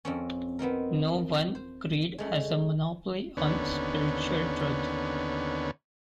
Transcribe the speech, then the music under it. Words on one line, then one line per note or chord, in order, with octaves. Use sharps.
No one creed has a monopoly on spiritual truth.
F2 C4 C#4
B3 C4 D#4 A#4
C5
G#3 A3 C#4
D#2 D3 B3 C#4